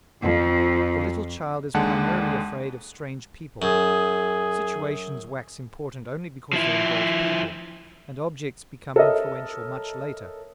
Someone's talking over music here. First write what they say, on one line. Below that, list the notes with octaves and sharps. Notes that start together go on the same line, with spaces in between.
The little child is primarily afraid of strange people; situations wax important only because they involve people, and objects become influential much later.
F2
D#2 D3 G#3 F#5 A5
F#2 G#4
F3 E4
A4 A#4 C#5 D#5 E5